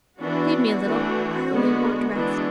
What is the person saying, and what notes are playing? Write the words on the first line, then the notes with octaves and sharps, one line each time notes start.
"Leave me a little--I only want rest."
E3 B3 D4 F#4
E3 A3 D4
D3 G#3 B3
E3 G#3 B3 D4